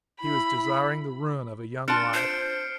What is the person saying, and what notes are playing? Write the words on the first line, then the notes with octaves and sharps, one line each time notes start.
He was desiring the ruin of a young life.
E4 B5
D4 F4 A5 F6 C#7 D7
C5 C7 D7